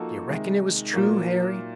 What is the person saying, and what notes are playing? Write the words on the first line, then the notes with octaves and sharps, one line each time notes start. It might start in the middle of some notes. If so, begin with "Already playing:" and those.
Do you reckon it was true, Harry?
Already playing: F3 A#3 D#4 F#4 A4
C3 D#3 G#3
A#2 F#3 A#3